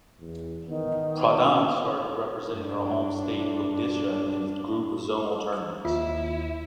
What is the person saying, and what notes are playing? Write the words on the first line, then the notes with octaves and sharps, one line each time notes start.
Pradhan started representing her home state Odisha in group zonal tournaments.
E2
D#3 B3
G2 D4
D#2 E4 F4 E5